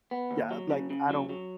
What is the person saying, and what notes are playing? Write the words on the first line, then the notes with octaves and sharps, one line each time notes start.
yeah, like, I don't
B3
D#2
F#3
C#3
C#3
F#3
F#3